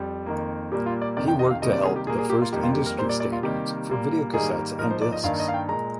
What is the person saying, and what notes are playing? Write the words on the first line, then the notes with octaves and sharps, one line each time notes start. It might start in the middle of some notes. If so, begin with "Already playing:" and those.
He worked to help the first industry standards for videocassettes and discs.
Already playing: F2 G3
F2 D#3 A#3
A#2 G3 A#3 G4
F4
D5
F2 C3 D#3 D5
G5
D#5
F5
C3 D#3 G3 A#3 D#5
D5
G#4
G4
A#2 G3 A#3 G#4
G#4
G4
F4
F2 D#3 G3 A#3 G4
F4
G4
A#4
A#2 G3 A#3 C5
D5
D5
F4
C3 D#3 G3 A#3 G4
A#2 G3 A#3
G#2 D#3 G3 A#3 G#4
G#2 F3 A#3 A#4
C5
D5
D#5
G2 D#3 A#3 F5
D#5
F5
G5
A#2 G#3 A#5